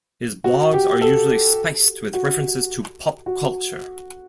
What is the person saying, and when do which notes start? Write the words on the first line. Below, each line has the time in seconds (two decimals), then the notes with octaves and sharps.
His blogs are usually spiced with references to pop culture.
0.44 F#4
0.73 G4
1.01 A4
2.14 F#4
3.26 F#4